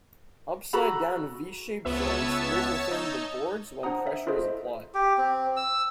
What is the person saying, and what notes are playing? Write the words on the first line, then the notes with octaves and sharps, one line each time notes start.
Upside-down V-shaped joints move within the boards when pressure is applied.
F#4 A4 A#5 B5
C#2 B3 C#5 E5 A5 E6
D#4
D4 C5 F#5 A#5 D#6
E5
E4 F4 G#4 A4 C5 D#5
G4
C4
E6